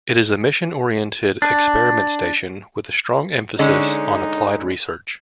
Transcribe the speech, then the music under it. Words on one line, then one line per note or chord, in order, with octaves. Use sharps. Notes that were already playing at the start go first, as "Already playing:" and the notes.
It is a mission-oriented experiment station with a strong emphasis on applied research.
D4
D3 G#3 C#4 D#4